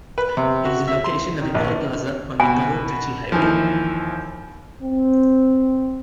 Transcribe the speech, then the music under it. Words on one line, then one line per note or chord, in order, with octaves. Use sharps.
It is the location of the Toll Plaza on the Karur - Trichy Highway.
B4
C3
F#4
E5
C6
D#3
A#1
B2 G#5
D#2 E3 F3
C4